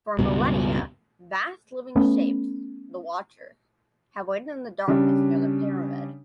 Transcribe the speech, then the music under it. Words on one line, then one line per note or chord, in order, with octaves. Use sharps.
For millennia, vast living shapes-the Watchers-have waited in the darkness near the pyramid.
C#2 G2 B2
A3 B3 C#4
C#3 G3 D4